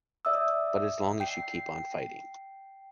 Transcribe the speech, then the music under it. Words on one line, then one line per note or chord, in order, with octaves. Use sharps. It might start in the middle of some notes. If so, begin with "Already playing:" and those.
But as long as you keep on fighting.
D5 E5 D#6 E6
G5 C7